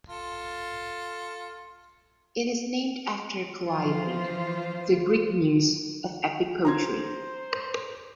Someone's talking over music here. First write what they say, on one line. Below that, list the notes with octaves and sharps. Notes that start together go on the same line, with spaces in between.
It is named after Calliope, the Greek Muse of epic poetry.
F4 A4
E3 F3 F4 C5
C5 A#5 C6 G#6